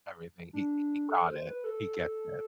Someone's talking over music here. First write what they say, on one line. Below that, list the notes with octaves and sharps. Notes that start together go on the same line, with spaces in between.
Everything, he he got it. He gets it.
D4
A4
C5
B4
A4